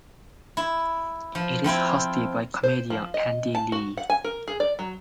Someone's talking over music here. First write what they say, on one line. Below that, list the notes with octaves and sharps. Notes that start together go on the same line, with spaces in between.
It is hosted by comedian Andy Lee.
E4
F3
F3 C4 E4 F4
C5
F3
D#5
A5
F#4
F#5
G#5
A#4
G#4
D5
F#3